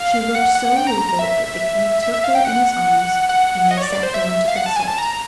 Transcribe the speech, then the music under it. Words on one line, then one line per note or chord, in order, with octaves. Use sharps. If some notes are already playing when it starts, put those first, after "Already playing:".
She looked so rueful that the king took her in his arms; and they sat down to consult.
Already playing: F5
F#5
F#5
G5
A#5
A#5
A#5
E5
E5
E5
F5
G5
F#5
F#5
D#5
C#5
D5
D5
C5
E5
F5
F#5
A5
G#5
A5
A#5